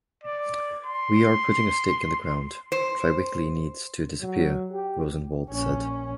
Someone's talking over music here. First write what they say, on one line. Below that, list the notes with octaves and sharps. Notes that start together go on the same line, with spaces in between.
"We are putting a stake in the ground: Triweekly needs to disappear," Rosenwald said.
D5
C6
C5
F#3
G4
A#1 C#4